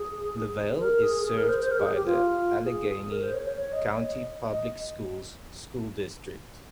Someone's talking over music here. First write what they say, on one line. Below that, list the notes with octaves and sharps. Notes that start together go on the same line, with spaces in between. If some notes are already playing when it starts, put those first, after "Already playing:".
LaVale is served by the Allegany County Public Schools school district.
Already playing: G#4
A#4
G#4
G#4
A#4
C5
C5
A#4
G4
G#4
G4
F4
G#4
G#4
A#4
C5
C#5
C#5
C#5
D#5
C#5
D#5
D#5